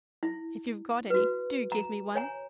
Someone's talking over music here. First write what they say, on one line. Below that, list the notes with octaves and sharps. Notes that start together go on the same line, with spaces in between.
If you've got any, do give me one!'
E4
F#4 B4
A#5
C#5 G#5 A#5